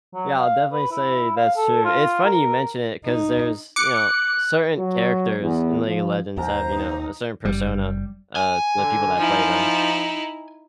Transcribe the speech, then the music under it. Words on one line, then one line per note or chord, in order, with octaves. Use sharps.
Yeah, I'll definitely say that's true. It's funny you mention it 'cause there's you know, certain characters in League of Legends have, you know, a certain persona, uh, to the people that play them.
F#3
F5
B4
E4
F5
A4
F4
A#4
D#4
D6 F#6 C#7
F#3
E2
F3
D#2 C5 A#5
D#4
F#1 G3
G#5
D3
F3 D#4 E4